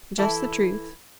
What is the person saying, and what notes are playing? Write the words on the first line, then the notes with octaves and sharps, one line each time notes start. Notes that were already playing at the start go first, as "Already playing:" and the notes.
"Just the truth."
E3 E4 A4